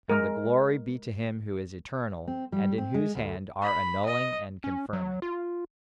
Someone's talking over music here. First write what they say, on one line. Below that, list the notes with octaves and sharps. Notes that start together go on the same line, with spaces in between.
And the glory be to Him who is eternal and in whose hand are annulling and confirming.
G#3 A#4
C4
G3
C4
G#3
D2
B5
D#5
C#4
F#3
F4